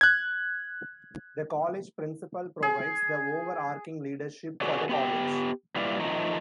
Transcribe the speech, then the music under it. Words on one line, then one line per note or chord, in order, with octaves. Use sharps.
The College Principal provides the over-arching leadership for the College.
F#6 G#6
G#4
F#4 G#4 A4 B4 C#5 D5
B3 G4 G5
A#2 G3 E4 B4 D5 F5
F3 A3 D#4 A#4